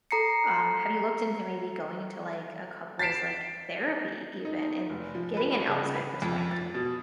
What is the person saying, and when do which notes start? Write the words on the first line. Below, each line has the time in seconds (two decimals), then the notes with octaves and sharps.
um have you looked into maybe going into, like, a couple's, like, therapy even and getting an outside perspective?
0.11 A4 A#5 C7 C#7
2.99 A6 B6 C7 D7 E7
4.45 D#4
4.90 F1
5.15 F3
5.37 B4
5.51 G2
5.67 C#3
5.95 B4
6.22 F2
6.51 A6
6.74 B2